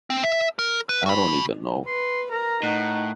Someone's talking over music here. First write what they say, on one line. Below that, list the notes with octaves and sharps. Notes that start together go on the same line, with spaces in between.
I don't even know.
C4
E5
A#4
B4
F#4 B5
B4 C6
A#4 A#5
A2 D#4 F#5